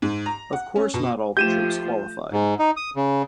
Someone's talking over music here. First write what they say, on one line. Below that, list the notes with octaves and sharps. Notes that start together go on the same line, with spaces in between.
Of course not all the troops qualified.
G#2
A#5
F#5
C#4
B2
F3 A3 F4 G4 G6 D#7 E7
G#2
D#4
D#6
C#3